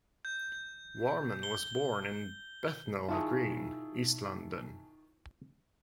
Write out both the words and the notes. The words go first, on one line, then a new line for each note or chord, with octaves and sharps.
Warman was born in Bethnal Green, East London.
G6
G7
D#3 E4 F4 G#4 E5 A5 C#6 D#6